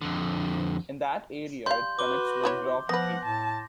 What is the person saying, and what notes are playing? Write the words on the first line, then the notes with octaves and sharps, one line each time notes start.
In that area, it connects with Groff Creek.
F2 D3
G3 F5 C6 G6
F#4 B4 D6 G7
B3 E4 C#5
F3 B3 B4 F#5 A#6
A2 A5